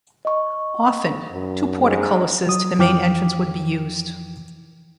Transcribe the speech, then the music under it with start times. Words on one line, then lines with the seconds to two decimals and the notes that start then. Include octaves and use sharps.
Often, two portcullises to the main entrance would be used.
0.25 D#5 C#6
1.33 F#2
1.81 G#2
2.47 F#3 D#6
2.79 F2 E3 F3 G5 D6 F6